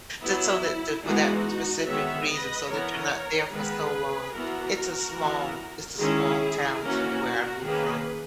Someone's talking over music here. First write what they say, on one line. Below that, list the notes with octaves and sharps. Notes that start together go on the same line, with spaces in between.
Just so that that for that specific reason so that you're not there for so long. It's a small it's a small town too where I moved from.
F#3 B3 E4
E3 G#3 B3 D#4 F#4
D#3 G#3 B3 C#5 E5
B4 D#5
E3 B3 A#4 C#5
D#3 G#3 B3 G#4 B4
E3 B3 F#4 A#4
E3 B3
D#3 G#3 C#4 E4 G#4
E3 A#3 C#4 F#4 A#4
D#3 A#3 C#4 G#4 B4